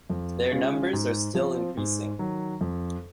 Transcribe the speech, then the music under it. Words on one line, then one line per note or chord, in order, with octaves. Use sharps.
Their numbers are still increasing.
F2
C#3 G#3 C#4 F4
G#2
F3 C4
G#2
D#3 F#3
F2